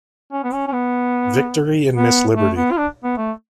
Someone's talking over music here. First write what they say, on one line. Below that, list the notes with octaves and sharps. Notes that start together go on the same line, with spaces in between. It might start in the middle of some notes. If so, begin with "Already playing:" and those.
Victory and Miss Liberty.
C#4
B3
C#4
C#4
B3
B3
A3
B3
F4
D4
B3
A3